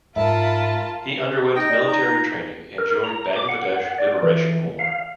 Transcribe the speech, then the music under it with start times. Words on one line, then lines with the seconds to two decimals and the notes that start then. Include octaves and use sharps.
He underwent military training and joined Bangladesh Liberation War.
0.16 G#2 F4 A#4 E5 A5 B5
1.56 D#4 D#5 G5
1.70 D5
1.88 D#4 A#5
2.78 A#4
3.04 A#5
3.36 D6
3.49 F#5
3.98 D5
4.23 E3
4.79 F5